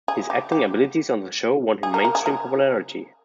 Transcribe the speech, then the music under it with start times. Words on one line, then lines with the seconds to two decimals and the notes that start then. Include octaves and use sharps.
His acting abilities on the show won him mainstream popularity.
0.08 G#4
0.30 G4
0.52 G4
1.83 G#4
1.94 A#4
2.05 A#4
2.15 G#4
2.26 A#4